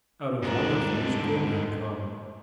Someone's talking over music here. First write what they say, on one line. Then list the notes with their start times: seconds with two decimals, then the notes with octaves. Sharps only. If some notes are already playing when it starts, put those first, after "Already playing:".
Out of one of these Grim had come.
0.43 D#1 G#2 D4 A#4 A#5